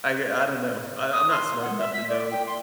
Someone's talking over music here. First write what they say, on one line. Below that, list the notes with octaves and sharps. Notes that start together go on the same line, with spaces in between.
I I don't know, I I'm not smart enough to know
D#6
C6
F#5
E5
B6
D5
G5
C6